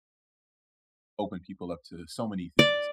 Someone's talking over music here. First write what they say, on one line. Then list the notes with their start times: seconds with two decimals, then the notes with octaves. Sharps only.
open people up to so many things.
2.59 D5